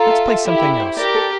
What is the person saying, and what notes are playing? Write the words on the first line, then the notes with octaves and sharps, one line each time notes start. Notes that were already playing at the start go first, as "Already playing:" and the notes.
Let's play something else.
Already playing: F4 A4 A#5
E5
E5
E4 G4 E5
E5
C5
G4 A#4 D5
A4